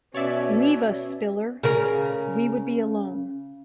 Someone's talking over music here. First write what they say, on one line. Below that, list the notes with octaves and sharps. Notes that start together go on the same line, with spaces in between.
Leave us, Spiller; we would be alone.
B2 C#4 C#5 D5 E5
C#3 A#4